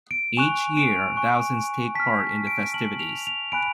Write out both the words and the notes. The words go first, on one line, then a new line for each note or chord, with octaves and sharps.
Each year, thousands take part in the festivities.
D7
G#5 C#6 F#6 F7
D7
G#5 C#6 F#6
A5 F6 B6
D7
A5 F6 F#7
F7
F7
G#5 B5 F#6 D7